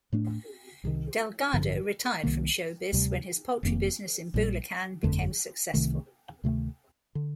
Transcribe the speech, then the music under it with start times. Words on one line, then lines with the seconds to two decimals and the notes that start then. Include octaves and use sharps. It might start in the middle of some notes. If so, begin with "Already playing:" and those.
Delgado retired from showbiz when his poultry business in Bulacan became successful.
0.13 A2 A3 D4
0.84 C2 C3 D#3
1.53 A1 G2 D3 F3
2.23 C2 C3 D#3 A#3
2.93 D2 C3 G3
3.63 F1 F2 D#3 A#3
4.34 A#1 A#2 G3
5.03 G1 F2 D3 A3
5.74 C2 C3 D#3 A3
6.44 D2 C3 D#3 A3
7.15 D3